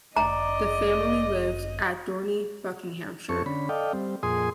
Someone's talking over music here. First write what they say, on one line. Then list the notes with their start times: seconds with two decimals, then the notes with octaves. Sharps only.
The family lived at Dorney, Buckinghamshire.
0.16 G1 F#2 D5 D#5 A#5
3.29 F2 C4 A4 C#6
3.46 D3 C#4 B5
3.69 A4 D5 D#5 F5 G5
3.93 G3 C4
4.23 F2 A#2 G#4 G#5 C6 D#6